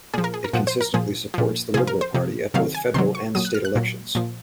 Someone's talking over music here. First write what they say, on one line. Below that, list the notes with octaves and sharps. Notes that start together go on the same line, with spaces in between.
It consistently supports the Liberal Party at both federal and state elections.
A#2 F3 G#4
A#4
G#4
A#4
A#2 F3 F#5
C5
A#4
A#2 F3 G#4
A#2 F3
C3 F3 G#4
A#4
C5
C3 F3
C3 D#3 F#3 F5
G#5
C3 D#3 F#3 C6
C#6
A#2 F#3 D#6
F#6
F6
F#6
A#2 F#3
A#2 F3